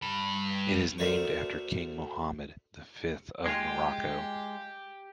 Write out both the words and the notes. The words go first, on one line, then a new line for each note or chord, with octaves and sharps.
It is named after King Mohammed the Fifth of Morocco.
G2 B5
D2 D3 A3 A#4 C5 C#6
G#3 F4 G4